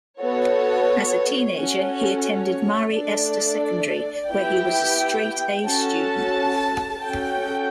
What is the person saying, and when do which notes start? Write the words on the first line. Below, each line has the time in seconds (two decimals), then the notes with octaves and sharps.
As a teenager, he attended Marie-Esther Secondary, where he was a straight-A student.
0.20 B3 F#4 A4 C#5
1.57 C#4 F#4 A4
2.25 C#5
2.93 A3 D4 A4 D5
4.30 B3 E4 G4 G5
5.66 C#4 F#4 A4 A5
7.03 C#4 F#4 A4 G5